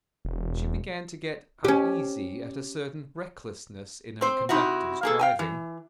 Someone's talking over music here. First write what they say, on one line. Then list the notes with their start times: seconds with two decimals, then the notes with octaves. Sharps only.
She began to get uneasy at a certain recklessness in her conductor's driving.
0.25 E1
1.65 C#4 G4
4.21 C4 C5
4.49 C3 D#4 E4 F#4
5.03 A#3 G#4 A4
5.19 F5 G5 G#5
5.39 E3